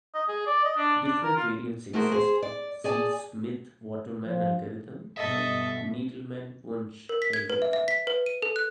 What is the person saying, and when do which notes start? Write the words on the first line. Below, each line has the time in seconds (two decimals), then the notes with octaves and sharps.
Different variants exist, see Smith-Waterman algorithm and Needleman-Wunsch algorithm.
0.15 D#5
0.29 G#4
0.47 D5
0.65 D#5
0.77 D4
1.04 D4
1.23 A#4
1.36 F4
1.93 A3 A#3 F#4 G#4 A#4 C5
2.12 G#4 C5
2.42 D5
2.84 G#4 D5 G#5 A5
4.25 F3
5.17 G2 B2 A4 D#5 E5
7.09 A#4
7.22 B6
7.33 G#6
7.50 B4
7.62 E5
7.73 E5
7.88 B6
8.07 B4
8.26 D#7
8.42 A4
8.56 F#6